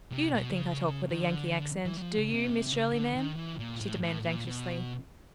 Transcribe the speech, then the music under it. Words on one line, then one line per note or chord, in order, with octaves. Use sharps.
"You don't think I talk with a Yankee accent, do you, Miss Shirley, ma'am?" she demanded anxiously.
C3
B2
D3
C#3
D#3
D3
E3
F#3
F3
C#3
C3
B2
C3
C3
C#3
D3
D#3
E3
A#2
A2
A2
A#2
B2